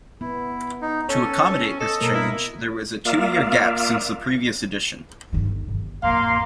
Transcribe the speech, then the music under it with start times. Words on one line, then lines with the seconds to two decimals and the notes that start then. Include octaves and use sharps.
To accommodate this change, there was a two-year gap since the previous edition.
0.21 B3 E4
0.82 D#4
1.09 C#4 A4 C#5
1.80 A4 D#5
2.01 B2 A#3 A#4
2.15 E4
3.05 A#3 F4 D5 E5 F5
5.33 G1 D#3
5.68 G1
6.03 A1 F2 A#3 F5 C6